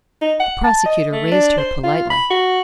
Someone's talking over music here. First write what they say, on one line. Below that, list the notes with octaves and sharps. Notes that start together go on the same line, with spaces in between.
The prosecutor raised her politely.
D#4
F#5
A5
D#5
A3
D4
C5
F4
B5
F#4